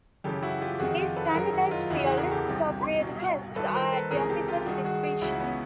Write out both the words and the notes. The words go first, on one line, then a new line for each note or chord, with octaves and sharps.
These "standardized field sobriety tests" are at the officer's discretion.
F#2 C#3 E3 G4 A4
E4 F#4
F4 G4
F2 C3 D#3 F#4 G#4
F4 G4
A4 B4
F#2 D#3 G#4 A#4
E4 F#4
D#4 F4
E2 C#3 E3 E4 F#4
F#4 G#4
G#4 A#4
G4 A4
C2 C3 E3
C2 B2
G2 D#3 A4 B4
A#4 C5
A4 B4
C#2 C3 E3 G#4 A#4
G4 A4
F4 G4
G2 D#3 F#4 G#4
F#4 G#4
F#4 G#4
C#2 C#3 E3 E4 F#4
B3 C#4